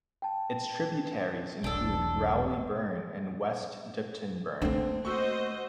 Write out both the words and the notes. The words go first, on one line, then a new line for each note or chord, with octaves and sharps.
Its tributaries include Rowley Burn and West Dipton Burn.
G5 A5
E1 B1 D4 A4
D3 A3 A#3 C4
F#4 C5 D#5 C#6 E6